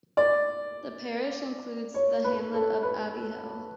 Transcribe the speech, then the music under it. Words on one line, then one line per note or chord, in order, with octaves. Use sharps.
The parish includes the hamlet of Abbey Hill.
D5
C#5
B4
A4
B4